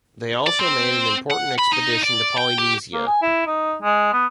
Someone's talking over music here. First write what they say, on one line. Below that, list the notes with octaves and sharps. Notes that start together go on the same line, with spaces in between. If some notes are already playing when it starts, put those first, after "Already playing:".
They also made an important expedition to Polynesia.
D5
C4
F#5
B5
D#4
D5
G5
G4
A#3
G#5
E4
D#4
G#3
B3